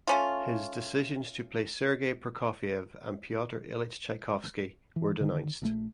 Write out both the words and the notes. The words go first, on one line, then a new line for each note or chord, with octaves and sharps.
His decisions to play Sergei Prokofiev and Pyotr Ilyich Tchaikovsky were denounced.
A3 C#4 F4
E3
D3 D#3
A#1 C#3 A3